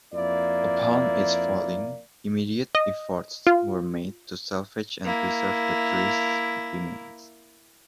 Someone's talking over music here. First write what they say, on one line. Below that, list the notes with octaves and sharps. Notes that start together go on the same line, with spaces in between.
Upon its falling, immediate efforts were made to salvage and preserve the tree's remains.
F2 A#3 E4 D5
D#5
F4
A#3 E4